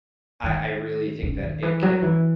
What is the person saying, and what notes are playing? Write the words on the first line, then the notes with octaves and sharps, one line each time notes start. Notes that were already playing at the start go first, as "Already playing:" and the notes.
I I really think that it can
D#3
C#3
D#3
E3
F#3
E3